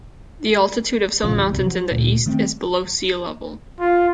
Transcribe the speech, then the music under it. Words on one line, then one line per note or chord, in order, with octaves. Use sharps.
The altitude of some mountains in the east is below sea level.
A#1 C#3 F3
E2
C2 F#2 C3
F3 F#3
D2 A#2
D#3 A3 B3 C4
F4